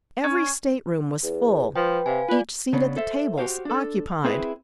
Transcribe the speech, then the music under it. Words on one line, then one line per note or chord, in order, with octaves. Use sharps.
Every stateroom was full; each seat at the tables occupied.
C#4
E2
F3 B4 G5
C3 F5 G#5
F4 B4 D5
C#3 B3 D4
A4 C5 E5
F#4 G4 C5 F5
D4 A4
C4 E4 G#4 B4 C5